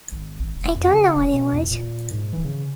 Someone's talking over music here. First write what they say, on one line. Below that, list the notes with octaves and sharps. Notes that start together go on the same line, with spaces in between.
I don't know what it was.
G#1
G#1
E1
F2
C#3
E1
B2
E2
A#2
G#2
E3
C#3